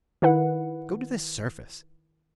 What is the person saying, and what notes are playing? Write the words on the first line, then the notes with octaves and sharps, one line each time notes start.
Go to the surface.
D#3 E4 B4 F#5